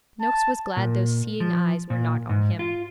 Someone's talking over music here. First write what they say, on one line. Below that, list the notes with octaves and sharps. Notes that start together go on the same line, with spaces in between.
Noakes was glad those seeing eyes were not on him.
A5
A#2
F3
A#2
G#2
F4